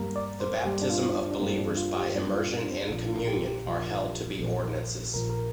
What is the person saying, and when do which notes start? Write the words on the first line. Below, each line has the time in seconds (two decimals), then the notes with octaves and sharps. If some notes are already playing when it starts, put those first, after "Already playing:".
The baptism of believers by immersion and Communion are held to be ordinances.
Already playing: G2 G3 A#3 A#4
0.16 D5
0.40 C5
0.65 G2 G3 A#3 G4
0.82 D4
0.90 F4
1.14 D4
1.31 D4
1.40 G2 G3 A#3 C4
1.58 D4
1.77 F4
1.96 G4
2.14 G2 G3 A#3 D4
2.33 F4
2.52 D4
2.71 C4
2.89 A#1 A#2 F3 D4
3.07 F4
3.17 A#4
3.27 G4
3.46 G4
3.65 A#1 A#2 F3
4.39 A#1 A#2 F3
5.14 A#1 A#2 F3 A#4
5.30 A#4